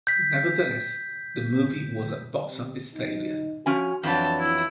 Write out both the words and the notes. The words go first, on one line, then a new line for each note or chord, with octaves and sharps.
Nevertheless, the movie was a box office failure.
G6 B6
C3
D#4
F3 C#4 F#4 G#5
F2 E3 F#3 D4 G5 A5
E4